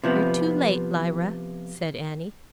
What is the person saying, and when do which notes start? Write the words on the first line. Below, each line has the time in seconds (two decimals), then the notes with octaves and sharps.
"You're too late, Lyra," said Annie.
0.04 C3 F3 B3